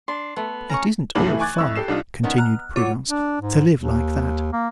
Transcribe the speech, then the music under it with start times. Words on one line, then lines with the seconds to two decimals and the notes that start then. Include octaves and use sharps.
It isn't all fun," continued Prudence, "to live like that.
0.08 D4 C6
0.36 A3 B3
0.69 C#4 A#5 C#6
1.15 C2 G2 A#2 D6 F#7
1.27 E3 A3
1.39 G#5 C#6 D6 F#6 G#6 A6
1.58 F2 E4 C#6 E6
1.76 G4 A4 C7 E7
1.88 C2 D4 D#4 F4
2.23 D#3 B3 C#4
2.38 A#5 F6 F#6
2.76 F#3 F4 C#5 D6
3.09 D4
3.42 G#2
3.80 D#2
4.53 A#3